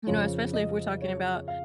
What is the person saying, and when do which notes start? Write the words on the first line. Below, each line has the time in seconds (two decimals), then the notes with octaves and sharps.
You know, especially if we're talking about
0.07 F2 C#3 F3 C#5
0.53 D#5
1.02 C#5
1.48 F5